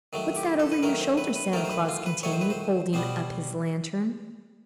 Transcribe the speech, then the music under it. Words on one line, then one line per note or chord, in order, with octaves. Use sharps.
"What's that over your shoulders?" Santa Claus continued, holding up his lantern.
D#3 F#3 A3
G4
A4
B4
D#3 F#3 A3 A#4
C5
B4
B4
D#3 F#3 A3 A#4
C5
B4
F4
B4
D#3 F#3 A3 C#5
C5
B4
C5
B2 G3 B3 C5